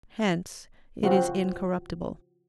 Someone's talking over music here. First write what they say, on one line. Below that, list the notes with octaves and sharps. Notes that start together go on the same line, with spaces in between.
Hence it is incorruptible.
C#3 F3 C4 F4 F#4